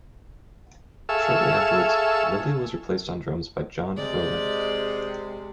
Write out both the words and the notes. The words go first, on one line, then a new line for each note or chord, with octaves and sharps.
Shortly afterwards, Lilley was replaced on drums by John Rowland.
G#4 A4 E5 F5 C#6 E6
C3 G#3 D5